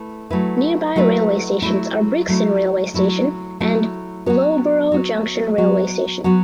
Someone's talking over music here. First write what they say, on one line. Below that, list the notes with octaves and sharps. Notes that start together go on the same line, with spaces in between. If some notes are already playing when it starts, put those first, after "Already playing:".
Nearby railway stations are Brixton railway station and Loughborough Junction railway station.
Already playing: A3 E4 B4
F#3 A3 E4 B4
F#3 A3 E4 B4
F#3 A3 E4
F#3 A3 E4
F#3 A3 E4
F#3 A3 E4
F#3 B3 F#4
F#3 B3 F#4
F#3 B3 F#4
F#3 B3 F#4